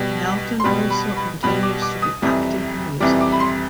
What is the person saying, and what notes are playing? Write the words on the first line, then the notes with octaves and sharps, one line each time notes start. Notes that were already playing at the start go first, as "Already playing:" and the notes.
Melton also continues to be active in music.
Already playing: B2 G3
C6
B2 G3 B5
B5
B5
B2 G3 B5
D6
D6
D#6
F2 C3 E3 G3
F2 C3 E3 G3 D6
D6
B5
C6